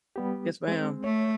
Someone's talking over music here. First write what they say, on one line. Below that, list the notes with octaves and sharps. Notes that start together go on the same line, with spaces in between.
Yes, ma'am.
G3 B3 G4
G#3 C4
A3 C#5